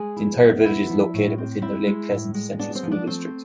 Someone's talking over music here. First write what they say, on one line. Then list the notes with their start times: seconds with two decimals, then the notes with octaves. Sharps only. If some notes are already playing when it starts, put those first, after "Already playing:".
The entire village is located within the Lake Pleasant Central School District.
Already playing: G#3 G#4 G#5
0.16 E4
0.41 B3
0.65 B3 E4 E5
0.90 F3
1.14 A2
1.38 C4
1.61 C4 E4 E5
1.87 G#3
2.11 A2
2.34 G#3
2.59 B3 D4 D5
2.75 C4 C5
2.83 F3
2.91 D4 D5
3.07 A3 C4 C5